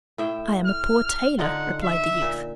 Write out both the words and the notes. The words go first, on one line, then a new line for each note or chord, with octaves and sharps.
'I am a poor tailor,' replied the youth.
A2 E5 G5
F6
F6
D3 D#4 F4 F#5
E5
A#2